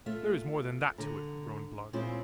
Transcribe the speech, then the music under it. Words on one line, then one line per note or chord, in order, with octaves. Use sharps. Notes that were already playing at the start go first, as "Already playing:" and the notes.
"There is more than that to it," groaned Blood.
A3 F4 E5
D3 A#5
A#2 G#3 C4 C#4 E4 F4